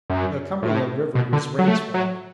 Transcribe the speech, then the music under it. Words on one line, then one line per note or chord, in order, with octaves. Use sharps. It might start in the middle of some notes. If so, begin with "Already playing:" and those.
The Cumberland River was rain-swollen.
F#2
A2
B2
D3
F#3
A3
F#3